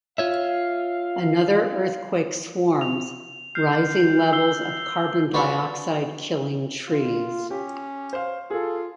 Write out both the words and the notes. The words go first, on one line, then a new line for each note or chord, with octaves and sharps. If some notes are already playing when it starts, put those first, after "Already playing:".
Another earthquake swarms, rising levels of carbon dioxide killing trees.
F4 C#5 E5 F5
F7
F6 G6 C7
E6 C7 G7
F#4 B4 C5 D5 B5 C#6
F4
C#4 G4
C5 F5
F4 G#4 A4